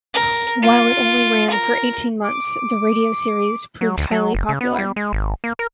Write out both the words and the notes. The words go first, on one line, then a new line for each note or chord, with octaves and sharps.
While it only ran for eighteen months, the radio series proved highly popular.
A#4
F4
A#4
D6
F#3
D2
F#3
F#1
C#3
B3
G3
G#3
G#1
A#3
A#4